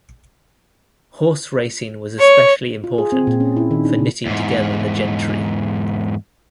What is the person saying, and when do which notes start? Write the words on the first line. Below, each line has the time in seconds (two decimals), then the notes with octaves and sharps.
Horse racing was especially important for knitting together the gentry.
2.19 C#5
2.84 F4
2.98 G#4
3.12 C4
3.27 A#2
3.40 C#4
3.57 E4
3.71 D#3
3.85 D4
3.99 C#3
4.26 E2 G#2